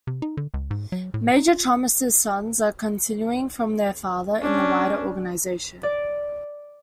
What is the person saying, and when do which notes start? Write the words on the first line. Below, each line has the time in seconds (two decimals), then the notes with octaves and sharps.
Major Thomas' sons are continuing from their father in the wider organisation.
0.07 C3
0.22 D#4
0.37 D3
0.54 C#2
0.71 G#2
0.92 F#3
1.14 A2
1.37 D#4
1.48 F4
4.42 C#4 D4
5.83 D5